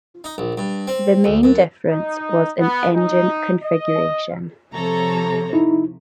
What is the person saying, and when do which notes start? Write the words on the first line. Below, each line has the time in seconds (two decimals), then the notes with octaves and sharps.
The main difference was in engine configuration.
0.24 D#4
0.38 A#1
0.58 G2
0.87 C4
1.24 D2
1.43 F#2
1.88 D#4
2.60 B3
2.95 D#4
3.63 D#5
4.73 C3 F3 A4 C#5 A#5
5.53 D#4 E4